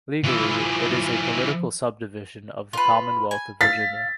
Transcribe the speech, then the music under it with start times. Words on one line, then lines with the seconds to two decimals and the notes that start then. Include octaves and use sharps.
Legally, it is a political subdivision of the Commonwealth of Virginia.
0.24 E3 F3
2.73 F4 B4
3.31 G#5
3.61 F5 A6 B6